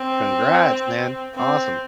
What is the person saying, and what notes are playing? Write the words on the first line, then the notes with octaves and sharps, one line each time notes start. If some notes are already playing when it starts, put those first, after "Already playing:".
Congrats, man. Awesome.
Already playing: C4
C4